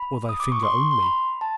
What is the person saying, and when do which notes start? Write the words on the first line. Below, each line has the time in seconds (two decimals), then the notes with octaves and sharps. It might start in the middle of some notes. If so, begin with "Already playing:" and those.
Or thy finger only!
Already playing: B5
0.29 D#6
0.40 D6
0.52 C#6
0.63 C6
0.91 C6
1.03 B5
1.41 A5